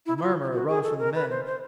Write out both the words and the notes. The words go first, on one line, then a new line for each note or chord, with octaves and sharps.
A murmur arose from the men.
E4
E4
F4
F#4
G#4
A4
A#4
B4
C5
C5